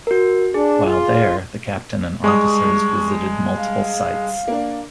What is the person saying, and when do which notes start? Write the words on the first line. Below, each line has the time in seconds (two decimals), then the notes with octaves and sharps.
While there the captain and officers visited multiple sites.
0.07 F#4 A#4
0.54 D4 G#4
0.84 F4
2.24 G2 G#3 C#6 D#6
3.58 F5
4.47 A#3 D4